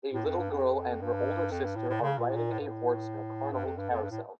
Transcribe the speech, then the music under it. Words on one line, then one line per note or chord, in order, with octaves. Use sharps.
A little girl and her older sister are riding a horse in a carnival carousel.
A2
F2
G2
F2
G2
F2
G2
A2
A2
C#3
A#2
A2
A#2
A2
G2
A2
G2
F2
G2
F2
G2
A2